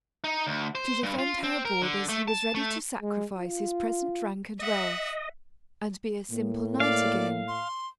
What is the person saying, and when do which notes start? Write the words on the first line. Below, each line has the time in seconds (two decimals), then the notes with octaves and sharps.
To defend her borders he was ready to sacrifice his present rank and wealth, and be a simple knight again.
0.24 D#4
0.47 D2
0.75 C5
1.03 G2
1.19 F4
1.44 C4
1.65 A#4
1.82 D3
2.09 A3
2.28 A5
2.55 A3
3.02 G#3
3.39 F4
4.59 D#5 E5 F#5
6.31 A2 A#3
6.80 D5 F5
7.48 C6